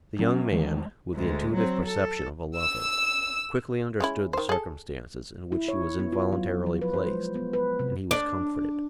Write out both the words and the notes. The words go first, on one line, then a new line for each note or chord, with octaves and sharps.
The young man, with the intuitive perception of a lover, quickly understood the circumstances in which she was involuntarily placed, and he was comforted.
F#3 C#4
D#3 E3 G#3 A3
D2 G#3
F#3 C4
A4
E6
G#3 C#4 E4
D#3 C5
G#4 A4
E4
C#5
B3
F4
F#3
F3
B4
C5
G#3
B3
B4
C3
D4